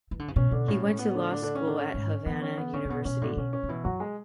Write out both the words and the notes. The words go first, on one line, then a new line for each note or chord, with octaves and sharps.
He went to law school at Havana University.
E3
D3
C#3
B2 C#4
B2 D3 D4
A2 C#4
C#4
B3
D3 D4
D3 D4
D3 D4
C#4
D3 D4
C#4
G#2
E3 B3
C#4
B3
C#3 C#4
C#3
B2 B3
B2 C#4
A2 D3 D4
B2 C#4
C#4
C#3
B2 E3 E4
F#2 F#3 F#4
G#3 G#4